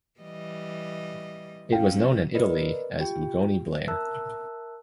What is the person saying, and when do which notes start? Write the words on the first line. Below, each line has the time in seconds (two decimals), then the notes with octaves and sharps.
It was known in Italy as Ugone Blair.
0.20 E3 G3 D#5
1.72 F3 F#3 C#4 F5 G5
2.34 A#4 B4 D5 D#5
2.99 F4 G4 G5
3.88 A#4 E5 A5 E6 F#6